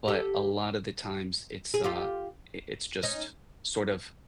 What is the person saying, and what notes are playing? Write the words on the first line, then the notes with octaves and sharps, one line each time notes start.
but a lot of the times, it's, uh it it's just, sort of
G4 A4
G#4
F4 G4
C#4 D#4